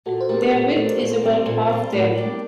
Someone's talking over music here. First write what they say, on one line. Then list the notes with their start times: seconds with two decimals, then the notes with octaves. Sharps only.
Their width is about half their length.
0.06 A#2 F#4 A4
0.21 C5
0.29 A3 D4 G4 A#4
0.52 A#2
0.76 A3 D4
0.99 A#2 A4 C5
1.23 G3 C4
1.46 A#2 A4 C5
1.69 G3 C4
1.92 A2 A#4 D5
2.16 G3 D4 G4